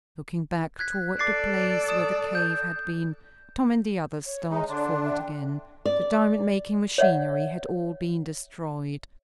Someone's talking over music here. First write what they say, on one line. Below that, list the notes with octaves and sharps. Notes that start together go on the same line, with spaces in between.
Looking back toward the place where the cave had been, Tom and the others started forward again. The diamond-making machinery had all been destroyed.
F#6 G#6 B6
A4 D5 D6 A6 C7
D#6 E7
G6
C#5
G#3 D#4 E5
D3 D4 C6
E5
G5
D5
C#5 D5 E5 F#5